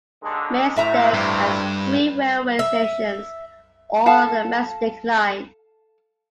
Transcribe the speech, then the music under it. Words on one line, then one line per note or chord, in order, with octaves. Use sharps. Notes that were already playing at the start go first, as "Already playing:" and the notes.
Maesteg has three railway stations, all on the Maesteg Line.
D#2 D3 G#3
D2 A2 C3 E5 A#5
G2
E5
A4 F5 A5